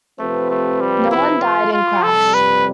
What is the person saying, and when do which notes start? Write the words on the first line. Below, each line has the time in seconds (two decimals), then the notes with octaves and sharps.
No one died in crash.
0.19 C3 F3 A3 C4 G4 B4
0.50 A3
0.81 G3
1.11 E4
1.42 F4
1.73 F4
2.02 F2 C3 G3 A4
2.34 B4